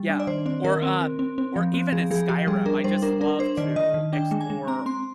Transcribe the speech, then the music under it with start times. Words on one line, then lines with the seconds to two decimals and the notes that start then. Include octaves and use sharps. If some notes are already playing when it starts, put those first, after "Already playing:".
Yeah, or, um, or even in Skyrim, I just love to explore
Already playing: G3
0.09 D4
0.20 D5
0.27 D#3 C5
0.46 C4 D5
0.64 D#3 A#4
0.82 C4
1.01 C4
1.19 C4
1.38 C4
1.56 F3
1.74 C4
1.92 F3 G#4
2.11 F3 G#4
2.29 F3 G4
2.47 G3 G#4
2.66 D4 A#4
2.84 G3 C5
3.02 D4 A#4
3.21 D4 A#4
3.39 D4 C5
3.57 D#3 D5
3.76 D#3 D#5
3.94 D#3
4.13 D4 G5
4.31 G#3
4.41 G#5
4.50 G#3
4.67 C4 A#5
4.86 C4 C6